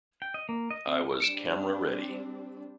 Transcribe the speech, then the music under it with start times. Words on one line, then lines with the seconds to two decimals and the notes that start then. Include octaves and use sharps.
I was 'camera ready'.
0.22 G5
0.34 D#5
0.49 A#3
0.71 D#5
0.87 C4
1.20 G3 C4 D4 C#7 D7 E7